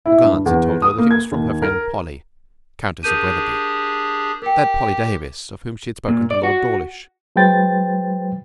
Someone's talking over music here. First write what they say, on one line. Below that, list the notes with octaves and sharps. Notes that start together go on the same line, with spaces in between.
A glance had told her that it was from her friend Polly, Countess of Wetherby: that Polly Davis of whom she had spoken to Lord Dawlish.
E4
G2
E2
D#6
A#3
G#6
D#2
A#4
D4 G4 G#4 A#4 G6 D#7
G4 A#4 G5
A#2
D5
F#4
F#3 G#3 B4 C5 G5 A6